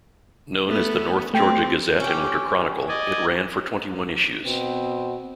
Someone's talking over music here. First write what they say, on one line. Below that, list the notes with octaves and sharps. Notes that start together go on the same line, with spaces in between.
Known as the "North Georgia Gazette and Winter Chronicle", it ran for twenty-one issues.
A3 B3
A3 C4 G4 G5
C#4 G4
D5 D#5 G#5
B2 B3 C4